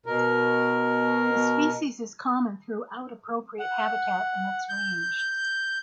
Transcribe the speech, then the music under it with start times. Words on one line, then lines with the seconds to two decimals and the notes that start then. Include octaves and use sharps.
The species is common throughout appropriate habitat in its range.
0.06 B2 A#4
3.59 F#5
4.69 G6